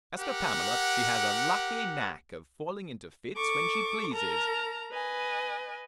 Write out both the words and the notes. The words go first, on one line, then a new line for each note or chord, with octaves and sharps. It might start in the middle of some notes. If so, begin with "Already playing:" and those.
As for Pamela, she has a lucky knack of falling into fits, when she pleases.
G4 A#4 F#5
A4 C#6 D6
A#4 A5 A#5
B4 D#5 G#5